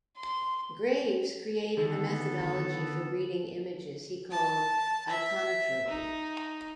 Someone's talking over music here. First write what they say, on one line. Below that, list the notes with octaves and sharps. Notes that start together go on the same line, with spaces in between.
Graves created a methodology for reading images he called "iconotropy".
C6
D3 D#3 B3 A4
A5
E5
D#4